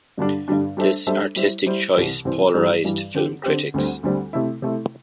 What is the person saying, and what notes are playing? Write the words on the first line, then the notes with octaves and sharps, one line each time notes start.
This artistic choice polarized film critics.
G2 D3 G3 D4
G2 D3 G3 D4
G3 D4 A4 C5 E5
G3 D4 A4 C5 E5
G3 E4 C5
G3 E4 C5
C2 C3 E3 C4
C2 C3 E3 C4
G2 E3 G3
G2 E3 G3
D3 C4 G4
D3 C4 G4
D2 D3 G3 C4
D2 D3 G3 C4
C3 A3 E4
C3 A3 E4